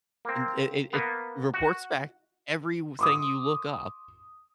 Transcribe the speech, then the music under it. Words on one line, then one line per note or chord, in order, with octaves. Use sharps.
It it it it reports back everything you look up,
A#3 C4
A#3 B3
F#4
C6 D6 D#6